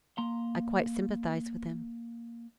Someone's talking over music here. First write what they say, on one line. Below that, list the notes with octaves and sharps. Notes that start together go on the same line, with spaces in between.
I quite sympathise with him.
A#3 A#5 C6